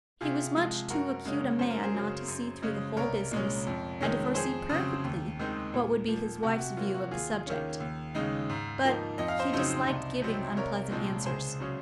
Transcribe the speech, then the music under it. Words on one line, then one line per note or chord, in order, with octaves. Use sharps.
He was much too acute a man not to see through the whole business, and to foresee perfectly what would be his wife's view of the subject; but he disliked giving unpleasant answers.
C3 F4 G#4
F3 G#3
F#2 F#4 A#4
C#3 G#3 C#4
F#2 C5
A#4
G#4 C5
C#3 F#3
F#2
C#3 G#3 C#4
C2 A#4 C#5
A#2 G#3 C#4
F2
D#3 G#3 C#4
F2 G#4 C5
C#3 F#3 C4
D#2
D#3 G#3 C4 D#4
A#2
F3 A#3
C3 F#4
F#4
F#3 A#3 F4
F#4
D#2 F4 G#4
D#3 A#3 C#4
D#2
C#3 G#3 D#4
G#2
F3 A#3 D#4
F2 D#5
F5
C5 D#5
C#3 F#3 C4 D#4
C2
C3 F#3 C4
C2 A#4 C#5
A#2 F3 G#3 C4
C#2 G#4 C5
C#3 F#3 C#4